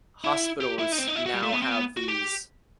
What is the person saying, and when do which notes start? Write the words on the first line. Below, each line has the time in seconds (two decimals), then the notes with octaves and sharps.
hospitals now have these,
0.24 E4
0.60 G4
0.79 E4
0.92 D#4
0.98 C4
1.07 D#4
1.15 E4
1.26 F#4
1.34 G3
1.43 A3
1.52 B3
1.62 C4
1.71 B3
1.97 F#4
2.08 G4